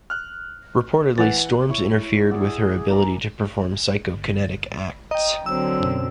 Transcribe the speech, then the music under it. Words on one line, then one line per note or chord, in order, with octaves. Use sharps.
Reportedly, storms interfered with her ability to perform psychokinetic acts.
F6 F#6
E3 F#5 A6
E4 C#5
G#4 D5 F#5 E6
A#4 D5 G#5 A#5
G1
D#5 G5 A#5
D3 F#3 C4 E6
F#2 B2